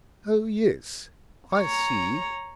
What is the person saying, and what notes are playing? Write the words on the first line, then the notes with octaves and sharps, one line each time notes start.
"Oh, yes, I see."
C#5 A#5